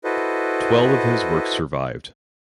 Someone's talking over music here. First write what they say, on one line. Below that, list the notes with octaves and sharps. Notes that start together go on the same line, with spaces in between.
Twelve of his works survived.
E4 F#4 A4 B4 C5 D#5